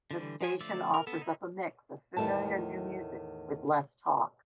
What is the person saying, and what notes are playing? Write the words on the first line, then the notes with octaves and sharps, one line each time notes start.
The station offers up a mix of familiar new music with less talk.
D3 E3 G3
F3 G#5
D3 F3 A3 D5 E6
A#4
B3 A4
D#4 E4
E2 A2 D#3 A3 A5